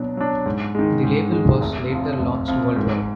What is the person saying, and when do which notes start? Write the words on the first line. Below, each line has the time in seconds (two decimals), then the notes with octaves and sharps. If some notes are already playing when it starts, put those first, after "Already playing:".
The label was later launched worldwide.
Already playing: B2 F#3 D4
0.17 F#3 D4
0.46 G#2
0.75 D#3 G#3
1.04 G#2
1.32 D#3 G#3
1.61 F1
1.90 F2 F3
2.19 F1
2.48 F2 F3
2.76 G#2